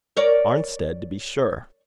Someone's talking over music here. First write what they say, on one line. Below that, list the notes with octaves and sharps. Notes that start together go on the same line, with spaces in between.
"Arnstead, to be sure."
A#4 C#5 D5